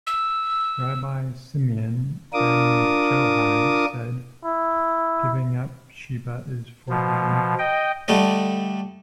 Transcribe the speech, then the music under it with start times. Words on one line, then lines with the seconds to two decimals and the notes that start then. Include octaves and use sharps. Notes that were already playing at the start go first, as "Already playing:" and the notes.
Rabbi Simeon ben Johai said giving up Sheba is forbidden.
0.07 E6
2.33 D4 F4 A#4 D6 D#6
4.45 E4
6.89 B2 F3
7.59 D#5 G5
8.08 D3 G3 A3 D4 D#5